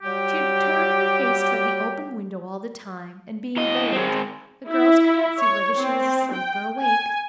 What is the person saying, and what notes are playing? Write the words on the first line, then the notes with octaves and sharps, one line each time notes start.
She had turned her face toward the open window all the time, and being veiled, the girls could not see whether she was asleep, or awake.
F#3 G3 G4
E2 D#5
G#3 C4
E4
C#5
C4
G5
G#5